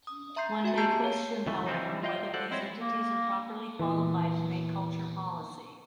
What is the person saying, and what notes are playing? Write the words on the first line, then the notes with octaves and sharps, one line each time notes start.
One may question however whether these entities are properly qualified to make culture policy.
D#6
E5 A#5 C6 G6 C7
F#4 E5 G#5 A#5
A#3 G4 G#4 A5 G6 C7
C#5
C#2 E3 A3
E3 G3 C4 D4 D#4
A3 F4 D#5 F5 G5
A4 C5 D5 F#5
G#3 C4 E4 C5 C#5 D#5
A#3
E2 A#2 E3